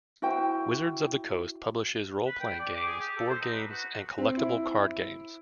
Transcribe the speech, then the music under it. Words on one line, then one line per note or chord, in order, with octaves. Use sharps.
Wizards of the Coast publishes role-playing games, board games, and collectible card games.
E4 F#4 C5 G5
B4
G5
D5
D6
G#4
G4
A4
C5
D#4
B4
F#4
C4
E4